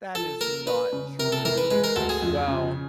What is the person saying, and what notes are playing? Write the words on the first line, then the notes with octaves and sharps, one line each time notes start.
That is not true. Well
F3 A4
A#3 A#4
D4 B4
C#3
C3 A#4
A4
E3 A#4
B4
G#3 B4
A#4
D2 A4
G#4
F2
C#3